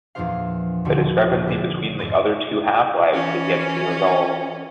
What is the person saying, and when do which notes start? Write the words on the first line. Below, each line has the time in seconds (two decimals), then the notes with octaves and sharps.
The discrepancy between the other two half-lives has yet to be resolved.
0.15 E2 A#2 F3 D4 C5 F5
0.85 A#1 D#2 B2 D3 F#4 G5
1.47 E4 G#4 D5
1.98 F2 G#2 D#4 C6 D#7
3.12 E3 C#4